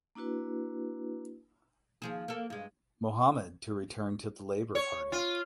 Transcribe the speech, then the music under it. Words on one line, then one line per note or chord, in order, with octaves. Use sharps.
Mohamed to return to the Labour party.
A#3 D4 E4 F#4 B4
D#2 F3 G#4
A#3 A4
G2 G#3
C#5
F4